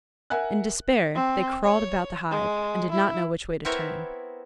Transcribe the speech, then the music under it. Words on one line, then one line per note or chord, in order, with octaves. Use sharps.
In despair they crawled about the hive, and did not know which way to turn.
A#4 E5 F#5 G#5 F#6
C4
C#5
G#3
E4
B3 C4 E4 A#4 C#5 E5